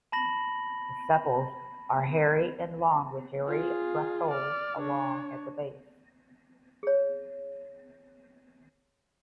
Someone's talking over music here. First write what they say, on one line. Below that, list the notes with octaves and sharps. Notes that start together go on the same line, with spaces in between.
The sepals are hairy and long with hairy bracteoles long at the base.
A5 B5 A#6 F#7
F4 G#4
D5 F6
D4 C#5
G#4 C#5